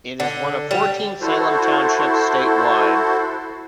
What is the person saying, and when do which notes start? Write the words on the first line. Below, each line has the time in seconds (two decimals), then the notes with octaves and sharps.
It is one of fourteen Salem Townships statewide.
0.20 D3
0.71 G3
1.21 E4 F#4 A4 C5